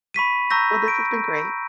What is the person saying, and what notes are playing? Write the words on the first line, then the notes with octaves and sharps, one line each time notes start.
Well, this has been great.
B5 C#6 B6 D#7
A#5 C#6 E6 G6 A#6
D7